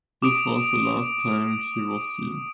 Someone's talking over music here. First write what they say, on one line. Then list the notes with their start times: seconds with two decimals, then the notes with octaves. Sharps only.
This was the last time he was seen.
0.22 D6 D#6 D7